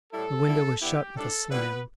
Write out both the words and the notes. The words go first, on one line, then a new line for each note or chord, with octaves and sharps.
The window was shut with a slam.
A2 G3 E4 A4
D3 G3 E4
D3 B3 E4 G4
A2 G3 D4 A4
D3 G3 B3 E4 B4